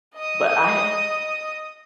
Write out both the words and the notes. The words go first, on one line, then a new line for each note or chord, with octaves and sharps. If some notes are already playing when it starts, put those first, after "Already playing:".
but I ha
D#5 D#6